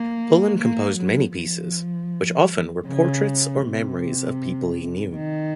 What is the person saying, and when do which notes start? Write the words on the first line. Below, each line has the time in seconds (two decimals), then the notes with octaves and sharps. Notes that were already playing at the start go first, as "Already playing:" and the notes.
Pullen composed many pieces, which often were portraits or memories of people he knew.
Already playing: A#3
0.59 A#3
0.97 F#3
1.34 F3
2.86 C#3
3.62 C3
5.14 D#3